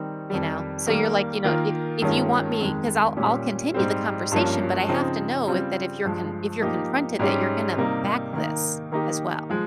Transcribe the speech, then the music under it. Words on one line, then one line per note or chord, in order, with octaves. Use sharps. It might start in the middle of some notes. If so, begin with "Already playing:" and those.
You know? So, you're like, you know, "If if you want me 'Cause I'll I'll continue the conversation, but I have to know if that if you're con if you're confronted that you're gonna back this as well.
Already playing: D#3 G3 C4 D#4
F2 D#3 G3
D#3 G3 A#3
D#3 A#3 F4
G2 D#3 G#3 C#4 F4
F2 D#3 G#3
A#2 G3 C#4 G4
G#2 G3 C4
G2 F3 A#3 C#4
C#3 F3 C4 D#4
C#3 G3 C4 F4
G2 F3 G#3
F3 A#3 D#4 G4
G#2 G3 C#4 G4
C3 G3 A#3 D#4
D#3 A#3 D#4
D#3 A#3 D#4 G4
F3 G#3